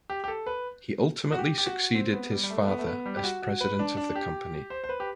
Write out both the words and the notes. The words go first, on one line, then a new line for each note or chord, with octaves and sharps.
He ultimately succeeded his father as president of the company.
G4
G4
A4
B4
F#4
G4
G4
F#4
C4
B3
G3
G3
A3
B3
A3
B3
G3
G4
F#4
F#4
B4
D4
D4
G4
C5
C5
B4
G4